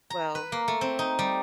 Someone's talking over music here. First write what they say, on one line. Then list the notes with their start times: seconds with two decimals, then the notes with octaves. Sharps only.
Well, y
0.10 A#5
0.35 B4
0.52 A#3
0.68 A3
0.81 C4
0.99 D#4
1.19 G3